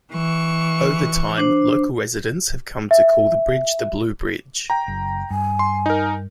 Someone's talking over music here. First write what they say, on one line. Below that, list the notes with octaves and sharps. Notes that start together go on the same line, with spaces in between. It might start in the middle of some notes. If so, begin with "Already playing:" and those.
Over time, local residents have come to call the bridge the Blue Bridge.
E3 C#6
D4 C5
E5
G5 A#5
F#1
G2 G#5
C6
D#4 A#4